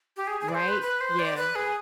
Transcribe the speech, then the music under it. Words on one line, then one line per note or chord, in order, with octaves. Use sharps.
Right? Yeah.
G4
G#4
G#4
D5
C5
B4
B4
C5
D5
B4
G#4